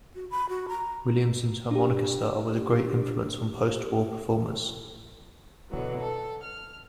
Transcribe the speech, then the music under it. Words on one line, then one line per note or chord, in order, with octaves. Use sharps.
Williamson's harmonica style was a great influence on postwar performers.
F#4
B5
F#4
A#5
D4 G4
B2 D3 E3 F#3 B3
A4
F6